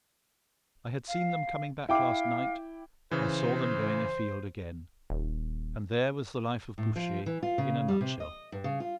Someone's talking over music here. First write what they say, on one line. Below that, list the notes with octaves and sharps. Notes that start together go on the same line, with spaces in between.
I had seen them coming back last night, I saw them going afield again; and there was the life of Bouchet in a nutshell.
F5
E4 F5 G5 D6
C#3 E3 C5
D#1
A2
F3
E3
F4
C#3
G3
C3
D#5
G2
C#3
F4